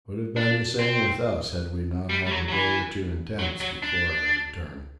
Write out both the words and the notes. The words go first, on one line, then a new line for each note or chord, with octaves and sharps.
It would have been the same with us had we not had a day or two in tents before our return.
D4
C4
G3
G3
F#3
F#3
E3
F#3
F#3
D4